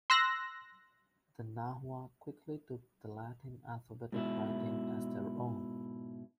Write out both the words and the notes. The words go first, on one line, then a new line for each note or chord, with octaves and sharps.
The Nahua quickly took the Latin alphabetic writing as their own.
C6 E6 F#6 A#6
G#2 B2 E4